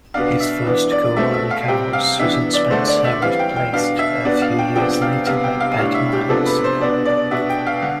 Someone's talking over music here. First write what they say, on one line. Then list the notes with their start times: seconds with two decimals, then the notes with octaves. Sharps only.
His first co-anchor was Susan Spencer, replaced a few years later by Pat Miles.
0.14 B2 B3 D4 F5
0.40 E5
0.66 E3 B3 D4
0.92 D5
1.16 B2 A3 C4 E5
1.34 E5
1.51 F5
1.68 C3 G3 C4 G5
1.93 F5
2.19 E3 B3 D4 E5
2.54 D5
2.70 D3 A3 D4 C5
2.88 D5
3.04 E5
3.21 E3 G3 C4 F5
3.39 G5
3.56 G5
3.73 B2 B3 D4 F5
3.99 E5
4.25 B2 B3 D4 D5
4.42 F5
4.58 G5
4.75 C3 F3 B3 D4 G5
5.02 F5
5.26 C3 G3 B3 F5
5.44 G5
5.60 F5
5.78 A2 G3 D4 F5
5.94 E5
6.13 G4
6.29 C3 F3 B3 D4 A4
6.46 B4
6.64 C5
6.80 B2 B3 D4 D5
7.06 D5
7.31 B2 B3 D4 E5
7.49 G5
7.66 F5
7.82 D3